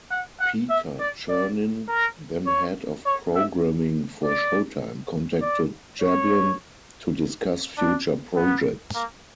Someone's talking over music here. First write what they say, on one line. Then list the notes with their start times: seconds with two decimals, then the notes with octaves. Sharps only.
Peter Chernin, then head of programming for Showtime, contacted Jablin to discuss future projects.
0.11 F#5
0.40 F#5
0.69 E5
0.99 D5
1.29 D5
1.87 A#4
2.46 C#5
3.05 C#5
3.35 E5
4.23 D5
5.41 D5
6.00 C#5
7.77 D4
8.36 B3
8.95 A#3